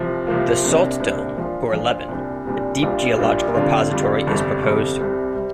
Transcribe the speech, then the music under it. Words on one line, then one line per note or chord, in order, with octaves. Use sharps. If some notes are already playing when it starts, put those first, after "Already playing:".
The salt dome Gorleben, a deep geological repository is proposed.
Already playing: C2 C3 F3
C2 C3 F3 A#3 F4
C2 C3 A#3 D4
C2 C3 A#3 D4
A#2 F3 D4 F4
A#2 F3 D4 F4
C2 A#2 G3 D4
C2 A#2 G3 D4
A#1 A#2 G3 D4 F4
A#1 A#2 G3 D4 F4
F2 D3 G3 D4 F4
F2 D3 G3 D4 F4
G1 F2 C3 G3
G1 F2 C3 G3
C2 C3 G3
C3 G3